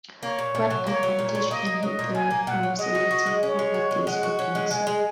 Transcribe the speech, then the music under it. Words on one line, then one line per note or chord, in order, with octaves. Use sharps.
What advantage can he derive from selecting proper days for doing so?
A#3 C#5
A#2
A#2
F#3
A#3 C#5
F#3
A#2
A#2
A#3 D#5
A#3
F#3 D#5
A#2
A#2 G#5
A#3
A#2 F#5
F#3
G#3 D#5
F#4
F#4
G#3
C#4 C#5
G#3
F#4
G#3
G#3 F#5
F#4
C#4
G#3
G#3 G#5
G#3